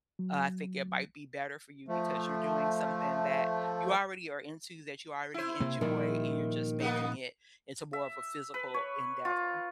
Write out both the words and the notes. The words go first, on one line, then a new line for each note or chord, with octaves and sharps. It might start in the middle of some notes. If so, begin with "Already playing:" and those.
uh, I think it might be better for you because you're doing something that you already are into, that you already enjoy, and you're just making it into more of a physical endeavor.
F#3
F3 A3
E4 C5
C3 A#3
A#2 D#3 F3 G3
A#3 B3 D#4
E5
B4
C#5
F4